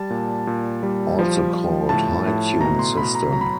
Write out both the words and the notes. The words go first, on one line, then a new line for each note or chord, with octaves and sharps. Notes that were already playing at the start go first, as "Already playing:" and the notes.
Also called High Tune System.
Already playing: G3 A5
A#2
A#2
G3
F3
F3
A2 A5
A2
B2 A#5
C6
B2 B5
A#5
F#3 A#5
B5